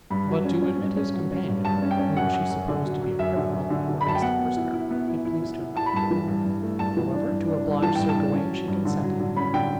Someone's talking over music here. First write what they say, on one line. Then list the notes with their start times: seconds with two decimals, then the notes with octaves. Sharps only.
But to admit his companion, whom she supposed to be a criminal, or at least a prisoner, it pleased her not; however, to oblige Sir Gawain, she consented.
0.10 G2 B5
0.28 F#3
0.45 C#4
0.62 C#4
0.79 G2
0.97 C#4
1.14 F#3
1.31 C#4
1.48 G2
1.65 G2 A5
1.82 C#4
1.91 G5
1.99 C#4
2.17 F#2 F#5
2.34 F#3
2.50 F#2
2.68 D3
2.85 F#3
3.02 F#3
3.19 F#2 E5
3.36 D3
3.53 F#2
3.70 D3
3.88 D3
4.01 B5
4.05 F#2 A5
4.15 G5
4.22 B3 F#5
4.39 B3
4.56 E4
4.73 E4
4.91 B3
5.08 E4
5.25 E4
5.42 E4
5.59 E4
5.77 E4 A5
5.86 B5
5.93 G2 A5
6.11 E3
6.27 G2
6.45 G2
6.63 A3
6.79 G2 A5
6.97 E3
7.14 D4
7.31 G2
7.48 D4
7.65 G2
7.82 E3 A5
7.95 G2 G5
8.09 A5
8.16 D4
8.33 C#4
8.51 F#3
8.68 G2
8.85 D3
9.03 F#3
9.20 D3
9.36 C#4 B5
9.54 D3 G5